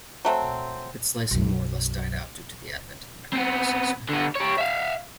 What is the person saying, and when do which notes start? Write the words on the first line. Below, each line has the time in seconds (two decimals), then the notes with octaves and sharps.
Bit slicing more or less died out due to the advent of the microprocessor.
0.25 F#3 A3 C4
1.31 B1 F#2
3.33 B3 C4
4.09 D3 B3
4.35 G4 C#5
4.58 E5 F5